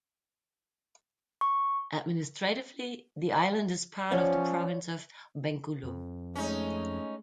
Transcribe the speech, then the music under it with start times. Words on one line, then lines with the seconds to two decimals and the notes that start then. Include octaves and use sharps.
Administratively, the island is part of the province of Bengkulu.
1.41 C#6
4.11 F3 C#4 C#5 D5 F#5
5.83 F2
6.35 G#3 A3 C#4 D#4